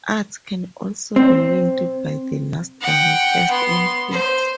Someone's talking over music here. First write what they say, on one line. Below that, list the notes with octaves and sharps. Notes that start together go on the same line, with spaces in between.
Arts can also be linked by the last and first inputs.
C4
F#5 G5
B3 C6
C5